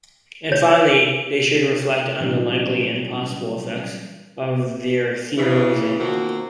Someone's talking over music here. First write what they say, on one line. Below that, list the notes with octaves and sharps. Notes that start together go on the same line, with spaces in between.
And finally, they should reflect on the likely and possible effects of their theorising.
C#5
A#2 E3 F#3 G3 C#4 D4
C#3 E3
B2 D#3 A#3 C4 F4 F#4